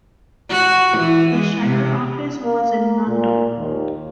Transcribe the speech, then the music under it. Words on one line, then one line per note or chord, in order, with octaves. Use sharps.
The shire office was in Nundle.
F#4
E3
G#3
C3
A#3
A#2
D#2